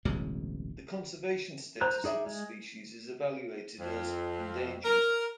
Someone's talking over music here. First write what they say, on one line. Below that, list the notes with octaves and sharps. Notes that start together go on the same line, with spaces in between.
The conservation status of the species is evaluated as endangered.
D1 A1 B2 G#3
C5 A#5 F#6
D#4 G#4 D5 E5
G#3
F2
A#4